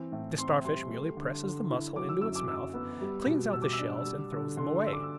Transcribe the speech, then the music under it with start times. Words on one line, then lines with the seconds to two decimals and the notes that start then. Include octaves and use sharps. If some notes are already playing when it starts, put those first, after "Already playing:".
The Starfish merely presses the mussel into its mouth, cleans out the shells, and throws them away.
Already playing: E3 C4
0.12 A2
0.38 C4 C6
0.65 G3 C6
0.90 A3
1.17 D3
1.43 D3
1.70 E4
1.96 F#3 D6
2.09 E6
2.21 F#2 E6
2.35 D6
2.48 F#2 E6
2.74 B3
3.01 G3
3.26 B2
3.53 B2 E6
3.62 D6
3.73 E6
3.79 D4
4.05 G3
4.32 D3
4.57 D3 C6
4.76 C6
4.83 D4 E6
4.93 D6
5.03 E6